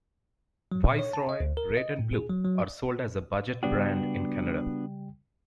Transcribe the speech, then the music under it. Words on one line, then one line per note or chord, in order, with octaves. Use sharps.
Viceroy Red and Blue are sold as a budget brand in Canada.
F#3
A#2
C#5
A5
D#5
D2
A#4
D#5
A2
G#4
F#3
F#3
C#3 G3 B3 D4 F#4 G5